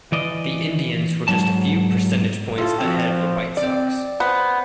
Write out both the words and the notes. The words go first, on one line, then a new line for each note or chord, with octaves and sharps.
The Indians were just a few percentage points ahead of the White Sox.
E3 D5 D#5
G#2 F#3 A5
A2 F4 A4
F3 C4 F#4
C4 D5
B3 C5